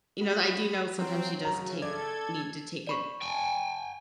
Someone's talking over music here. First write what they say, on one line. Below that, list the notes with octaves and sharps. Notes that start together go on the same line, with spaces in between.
You know that I do know sometimes she does take need to take a
F#4 G#4 B5
F#3 C4
C#3 A3 A#5
A4 D5 G#6
D5 B5 C#6
G5 G#5